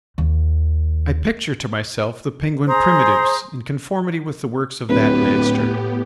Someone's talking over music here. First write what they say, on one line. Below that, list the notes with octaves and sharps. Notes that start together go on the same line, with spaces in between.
I picture to myself the Penguin primitives in conformity with the works of that master.
D#2
G#4 C5 A#5 D#6
D1 A2 B3 G4 B4